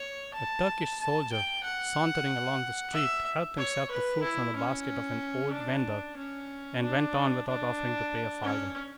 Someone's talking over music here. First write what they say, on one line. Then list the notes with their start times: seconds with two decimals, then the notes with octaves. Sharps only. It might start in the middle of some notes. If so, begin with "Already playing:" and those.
A Turkish soldier, sauntering along the street, helped himself to fruit from the basket of an old vender, and went on without offering to pay a farthing.
Already playing: C#5
0.34 A5
1.00 A5
1.32 G5
1.64 F#5
2.93 E5
3.58 C#5
3.91 B4
4.22 E4
4.56 C#4
5.52 D4
6.17 C#4
6.82 D4
7.47 D4
8.43 C#4